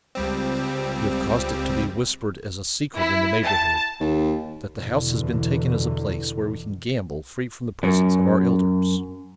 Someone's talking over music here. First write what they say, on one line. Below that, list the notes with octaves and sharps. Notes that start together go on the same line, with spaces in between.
We have caused it to be whispered as a secret in the neighbourhood, that the house has been taken as a place where we can gamble free from the presence of our elders.
C#2 G3 C4
E4
A5
D#2
E2 B2 D3 E3
F#2